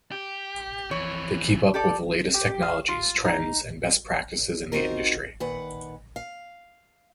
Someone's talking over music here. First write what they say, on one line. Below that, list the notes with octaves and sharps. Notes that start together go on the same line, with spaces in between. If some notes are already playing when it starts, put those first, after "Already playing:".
They keep up with the latest technologies, trends, and best practices in the industry.
G4
F2 E3 C#5
G4 A4 D5
G4
F5
F4
D#4
C4 D#4 F4 F#4 A#4
A#2 D#3 B4 F#5
F5